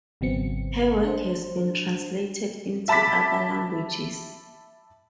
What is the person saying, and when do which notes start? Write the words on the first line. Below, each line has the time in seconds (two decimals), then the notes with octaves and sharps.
Her work has been translated into other languages.
0.21 G#1 C#3 F#3 B3 C4 C#7
1.04 D4 C5
2.88 E5 A5 B5 D6 B6